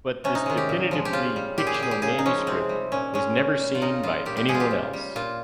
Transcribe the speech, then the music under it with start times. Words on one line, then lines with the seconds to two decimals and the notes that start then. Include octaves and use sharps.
But this definitely fictional manuscript was never seen by anyone else.
0.24 C3 C#4
0.35 D#4
0.46 D#3 G#3
0.57 G4
0.69 A#2
0.91 F3 G#3
1.05 G4
1.13 C#3 F4
1.36 G3
1.58 A#2 G4
1.67 G#4
1.74 G4
1.80 G3 G#4
1.91 G4
2.02 C#3 G#4
2.18 D#4
2.25 F3 G#3 C#4
2.47 C3 C4
2.69 G3
2.92 A#2 C#4
3.14 G#3 C#4
3.37 A#2
3.60 G3
3.75 F4
3.81 C#3 D#4
4.03 G3 F4
4.25 A#2 G4
4.37 G4
4.48 F3 G#3 G#4
4.54 F4
4.60 G4
4.71 C#3
4.93 G3
5.16 A#2 F4